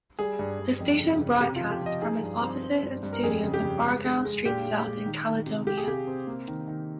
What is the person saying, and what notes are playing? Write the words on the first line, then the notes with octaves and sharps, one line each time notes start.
The station broadcasts from its offices and studios on Argyle Street South in Caledonia.
G3 G#4
G2
G2
F2
C#3
C#3
C3 G4
F4
F3
G4
F3 D#5
D#4 G#4
G2
C4
C4
G2
G2
A#4
F2 G#4
C#3
G4
C#3
G#3
G#3
G#3
A#2 G4
G#3
G#3
D#3
D#3
C3
C3 G4
G#4
C3 G4
C4
A#3
D#3
D#3